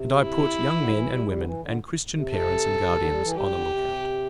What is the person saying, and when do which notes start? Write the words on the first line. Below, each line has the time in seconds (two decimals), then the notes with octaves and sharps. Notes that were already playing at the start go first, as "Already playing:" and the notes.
And I put young men and women and Christian parents and guardians on the look-out.
Already playing: C3
0.23 E4
0.76 D3
0.88 G3
0.93 E3
1.11 G3
1.27 G3
1.38 D3
1.45 E3
1.62 D3
2.15 C3
2.32 A4
2.85 C3
2.97 D3
3.10 G3
3.24 E3
3.36 G3 G4
3.53 D3
3.67 D3
3.71 C3